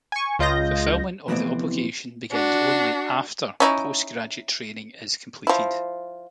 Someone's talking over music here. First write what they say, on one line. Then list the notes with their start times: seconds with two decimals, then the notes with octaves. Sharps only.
Fulfillment of the obligation begins only "after" postgraduate training is completed.
0.12 G#5 C#6
0.39 C#2 F4 D#5 G6 A#6
1.28 F2 A2 C3 E3 B3 C4
2.32 D4 F#4
3.60 C#4 D#4 E4
5.47 F3 E4